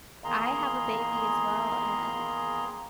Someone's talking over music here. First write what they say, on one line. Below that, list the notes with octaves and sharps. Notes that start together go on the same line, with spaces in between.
I have a baby as well, and
E2 D#3 A#3 G#4 A#5 C6